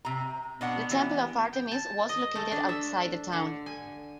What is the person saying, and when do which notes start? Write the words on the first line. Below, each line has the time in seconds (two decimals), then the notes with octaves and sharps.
The temple of Artemis was located outside the town.
0.05 C3 A#5
0.61 B2 B3 D4 F#5
0.91 E3 G4
1.53 G5
1.72 A5
2.09 D#5
2.36 A3
2.52 D4
2.69 E5
3.33 D3
3.66 G#5